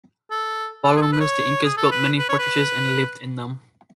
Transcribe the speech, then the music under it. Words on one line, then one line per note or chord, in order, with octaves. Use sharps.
Following this, the Incas built many fortresses and lived in them.
A4
A4
G#4
A4
B4
C#5
G#4
A4
B4
B4
C#5
B4